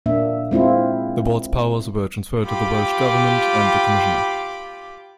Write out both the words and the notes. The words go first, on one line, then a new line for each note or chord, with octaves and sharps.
The Board's powers were transferred to the Welsh Government and the Commissioner.
A#2 A#3 D4 E5
G#3 C4 E4 F4
F4 G4 G5 B5 D6